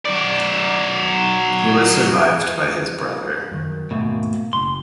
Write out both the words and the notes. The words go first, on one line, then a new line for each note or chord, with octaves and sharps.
He was survived by his brother.
F#3 D5
F#2 D#3
D#2 G#2 B2 A3 A#3
F#1 C6